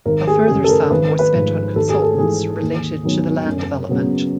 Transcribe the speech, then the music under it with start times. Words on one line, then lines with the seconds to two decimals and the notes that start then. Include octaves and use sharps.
A further sum was spent on consultants related to the land development.
0.05 G#1 A#4
0.27 G#4
0.48 F#2 C#3 G#4
0.64 A4
0.69 A#4
0.91 G#1 B4
1.19 B4
1.33 G#2 F3
1.76 G#1 A4
1.89 G#4
2.02 A4
2.18 G#2 E3 G#4
2.61 D#2
3.04 D#3 F#3 B3
3.47 F#2
3.89 C#3 F#3 B3